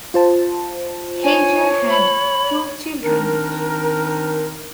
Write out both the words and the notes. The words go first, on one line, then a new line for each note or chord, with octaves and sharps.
Hager had two children.
F4 C5 A5
C#5 G#5
B5
D#3 C4 D4 D#4 A#4